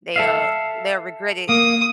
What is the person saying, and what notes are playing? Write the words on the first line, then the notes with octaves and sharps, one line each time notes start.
they'll they'll regret it
A4 E5 F5
A#3 D#6